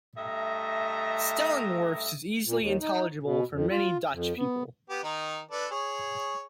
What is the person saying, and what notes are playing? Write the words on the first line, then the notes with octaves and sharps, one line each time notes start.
Stellingwarfs is easily intelligible for many Dutch people.
G2 A3 D#5 E5 A#5
A#2
D#2
D#4
B2
F2
F4
F2
B3
B3 G4
D#3 D#4
D4 A4 B4
G#4 C#5